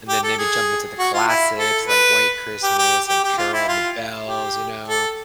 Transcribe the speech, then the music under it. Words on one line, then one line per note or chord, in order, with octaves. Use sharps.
and then maybe jump into the classics like White Christmas and Carol of the Bells, you know.
G4
A4
G#4
F#4
F4
E4
A4
B4
G4
G4
G4
G4
F4
E4
F4
G4
A4